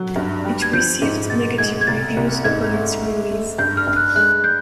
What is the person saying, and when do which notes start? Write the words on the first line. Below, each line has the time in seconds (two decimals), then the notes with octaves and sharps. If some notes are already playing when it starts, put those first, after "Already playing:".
It received negative reviews upon its release.
Already playing: F#3
0.16 G2
0.44 G3
0.62 G#6
0.73 F3 G6
1.02 G#2
1.30 B2 A6
1.58 G#3 G#6
1.81 G#6
1.87 C2 A6
2.17 C2
2.44 G#2 G#6
2.73 A3
3.01 A3
3.31 A3
3.58 G2 G6
3.77 F6
3.87 G2
3.96 F#6
4.15 G#3 F#6
4.44 G6